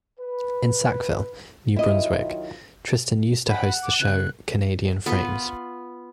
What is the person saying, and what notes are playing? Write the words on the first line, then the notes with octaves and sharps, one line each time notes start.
In Sackville, New Brunswick, Tristan used to host the show "Canadian Frames".
B4
D#3 F#3 E4 F4 D#5
F#5 B5
D6
C#3 F#6
B3 F4 B4